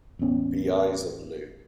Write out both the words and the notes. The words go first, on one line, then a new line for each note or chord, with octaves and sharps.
The eyes are blue.
E1 A1 B3 C#4